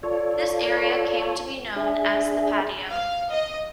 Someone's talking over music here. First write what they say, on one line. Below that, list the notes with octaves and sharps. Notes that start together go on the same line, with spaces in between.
This area came to be known as "The Patio".
F4 A4 C#5 D5
D4 G#4 E5
F5
D#5